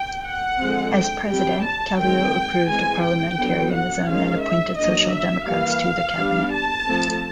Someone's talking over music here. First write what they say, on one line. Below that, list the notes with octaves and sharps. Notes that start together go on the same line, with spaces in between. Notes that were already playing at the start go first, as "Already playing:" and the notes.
As president, Kallio approved of parliamentarism and appointed Social Democrats to the cabinet.
Already playing: G5
F#5
D3 F3 G#3 C4
G5
G3 C4 G5
A5
D#3 G#3 C4 G5
E3 G#3 C4 G#5
G5
D3 F#3 B3
F#5
D#3 G#3 C#4 F5
E5
F#3 A#3 D4 D#5
E5
E3 G3 A#3 F5
G3 B3 D4
A5
F3 A3 C4